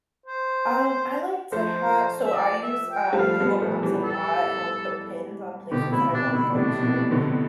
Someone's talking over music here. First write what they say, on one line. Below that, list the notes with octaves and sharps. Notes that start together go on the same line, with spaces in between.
Um, I like to ha so I use, um, Google Maps a lot and I'll put pins on places that I wanna go to,
C5
F3 A3 C5
E5
D5
E5
G5
G3
F3 A3 F5
G3 B3
F3 A3
E3 G3
A4
B2 D3 G4
A2 C3 E4
B2 D4
B2 E4
A2 C3 D4
B2
B2 D3